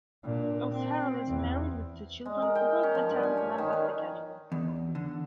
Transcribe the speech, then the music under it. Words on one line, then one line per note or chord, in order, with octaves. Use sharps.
O'Farrell is married with two children, who both attended Lambeth Academy.
A#2 D4
C4
E2
G#3
A#4
G5
C#4
F3
G2
G#5
C#5
D#3
B4
E2
D3